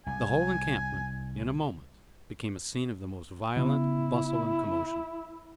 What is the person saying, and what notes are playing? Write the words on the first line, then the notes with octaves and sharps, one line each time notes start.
The whole encampment, in a moment, became a scene of the most violent bustle and commotion.
C2 G#5
C#3 B3 E4